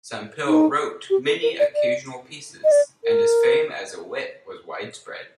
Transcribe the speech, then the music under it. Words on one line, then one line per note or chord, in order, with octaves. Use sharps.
Sempill wrote many occasional pieces, and his fame as a wit was widespread.
D#4
G4
A4
A#4
D5
D5
D#5
D5
A#4